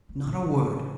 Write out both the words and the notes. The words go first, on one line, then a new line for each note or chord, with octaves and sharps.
Not a word.
A3
A#2
C#3